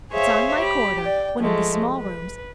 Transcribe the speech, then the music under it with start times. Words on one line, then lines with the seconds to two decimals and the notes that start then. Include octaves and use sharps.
It's on my corridor--one of the small rooms.
0.11 G#4 C5 C#5 E5 F5
0.58 G4 B5
1.01 D5 G5
1.39 F3 G#3 A3
1.96 B4